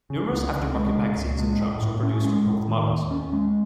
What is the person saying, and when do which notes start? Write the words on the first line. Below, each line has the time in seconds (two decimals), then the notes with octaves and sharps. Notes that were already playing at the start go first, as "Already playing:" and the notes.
Numerous aftermarket magazines and drums were produced for both models.
0.10 C#3
0.32 C#2
0.54 C#2
0.75 G#3
0.96 C#3
1.17 C#2
1.39 G#3
1.61 A2
1.82 A2
2.03 C#4
2.24 G#3
2.46 A2
2.68 D#3
2.90 D#2
3.11 C#4
3.32 G#3